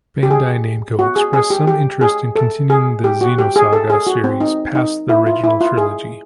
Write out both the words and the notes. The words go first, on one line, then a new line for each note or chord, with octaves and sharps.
Bandai Namco expressed some interest in continuing the "Xenosaga" series past the original trilogy.
G4
G#4
F#4
G#4
G#4
G4
G4
G#4
A4
G#4
G4
F#4
G4
G#4
A4
G#4
F#4
C4
D#4
D#4
E4
F4
E4
F4
G#4